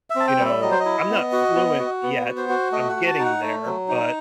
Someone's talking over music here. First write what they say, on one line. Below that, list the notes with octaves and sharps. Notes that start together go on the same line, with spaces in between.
you know, I'm not fluent yet. I'm getting there. But
E5
C4 A5
G5
G3
E5
F#3 D#5
C5
D#5
E4
B3
F#4
B3
F#4
B3
F#4
C5
F#4
A3 D#5
F#5
F#4
A5
D#4
F#5
A3
F#3
D#4